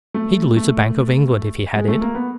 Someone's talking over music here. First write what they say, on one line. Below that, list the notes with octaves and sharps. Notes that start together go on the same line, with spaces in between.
He'd lose the Bank of England if he had it.
A3
A3
G#3
A3
A#3
B3